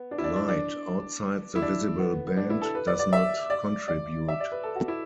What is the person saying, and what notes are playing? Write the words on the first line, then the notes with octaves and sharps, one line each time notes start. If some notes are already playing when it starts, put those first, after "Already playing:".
Light outside the visible band does not contribute.
Already playing: B3
D4
E4
D4
D4
D4
E4
D4
B3
B3
D4
E4
A4
B4
D5
D5
E5
D5
D5
E5
D5
B4
A4
F#4
E4